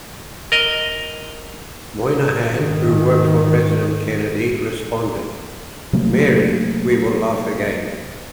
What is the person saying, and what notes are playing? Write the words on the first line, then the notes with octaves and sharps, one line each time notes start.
Moynihan, who worked for President Kennedy responded, Mary, we will laugh again.
A#4 D#5
G#2 D#3
C3 F#3 A3 A#3